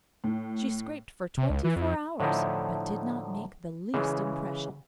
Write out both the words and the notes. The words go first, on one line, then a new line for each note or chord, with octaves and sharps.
She scraped for twenty-four hours, but did not make the least impression.
A2
C3
C#2
E3
F2
A2 D3 F3 D#4 E4
C#3 E3 G#3